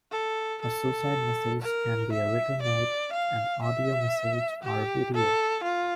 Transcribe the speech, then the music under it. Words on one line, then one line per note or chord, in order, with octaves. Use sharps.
A suicide message can be a written note, an audio message, or a video.
A4
A4
A#4
E5
D5
F5
E5
G4
A4
F4